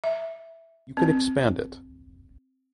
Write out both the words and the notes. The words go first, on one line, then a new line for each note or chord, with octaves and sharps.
You can expand it.
E5
C4